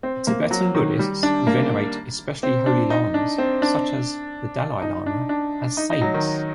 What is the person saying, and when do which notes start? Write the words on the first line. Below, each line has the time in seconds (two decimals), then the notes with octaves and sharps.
Tibetan Buddhists venerate especially holy lamas, such as the Dalai Lama, as saints.
0.03 C4
0.27 A#3
0.51 F#3
0.75 D#3
0.99 G3
1.23 D4
1.47 A#3
2.43 C4
2.66 D4
2.90 D#4
3.14 D4
3.38 C4
3.62 D4
4.82 D#4
5.06 D4
5.29 D4
5.77 D#4
5.90 D#4
6.01 F#3
6.14 D#3